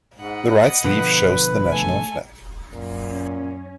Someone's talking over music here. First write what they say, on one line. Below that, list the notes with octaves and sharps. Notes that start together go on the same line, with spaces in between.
The right sleeve shows the national flag.
G#2 D#5 F#5 B5
B2 D3 F3 B4
A3 A4 G#5
F#2 A#2
C#4